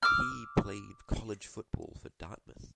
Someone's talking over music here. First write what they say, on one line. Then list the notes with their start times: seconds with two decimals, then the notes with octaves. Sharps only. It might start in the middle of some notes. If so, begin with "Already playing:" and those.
He played college football for Dartmouth.
0.03 D6 E6 F6